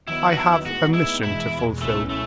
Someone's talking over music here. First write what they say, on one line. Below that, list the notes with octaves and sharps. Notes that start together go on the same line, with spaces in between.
I have a mission to fulfill.
D#2 D#3 F#3 B3 D#4 E4
F#4
E4
A2 G#3 B3 D#4 F#4
E4
E2 B2 G#3 E4
C#2 B2 F#3 A3 C#4 E4
A3